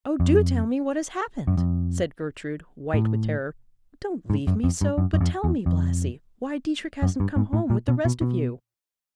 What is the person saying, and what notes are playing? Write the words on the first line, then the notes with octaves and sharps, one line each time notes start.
"Oh do tell me what has happened," said Gertrude, white with terror. "Don't leave me so, but tell me, Blasi, why Dietrich hasn't come home with the rest of you?"
F2
F#2
F2
A2
G#2
F#2
F2
G2
F#2
F#2
F2
E2
F2
F#2
G2
G#2
A2
A#2
B2
B2
B2